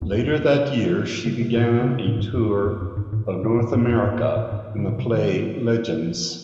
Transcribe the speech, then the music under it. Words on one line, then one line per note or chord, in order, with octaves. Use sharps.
Later that year, she began a tour of North America in the play Legends!
E2
F#2
C3
C#3
C3
A2
C#3
C3
A2
G#2
F#2
F#2
F#2
G#2
A2
C3
A2
G#2
F#2
G#2
A2
A2
G#2
C#3
A2
C3
D#3